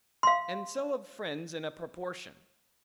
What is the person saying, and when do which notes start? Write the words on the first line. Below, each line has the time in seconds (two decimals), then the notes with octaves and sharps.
And so of friends in a proportion.
0.23 F5 C6